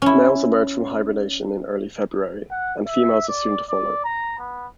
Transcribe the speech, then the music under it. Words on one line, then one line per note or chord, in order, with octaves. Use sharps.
Males emerge from hibernation in early February and females are soon to follow.
C#4 E4
F#5
E5
D5
D5
A#5
B3